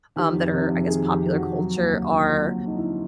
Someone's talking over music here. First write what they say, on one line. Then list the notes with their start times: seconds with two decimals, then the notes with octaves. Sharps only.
um, that are, I guess, popular culture are
0.16 D#3 G4
0.33 F2
0.52 C3
0.70 F2
0.87 D#3 G#4
1.05 F2 G4
1.22 C3
1.34 F#4
1.40 F2
1.58 F#3
1.76 D#2
1.93 D3
2.11 D#2
2.29 F#3 F4
2.46 D#2
2.64 D3 D#4
2.76 E4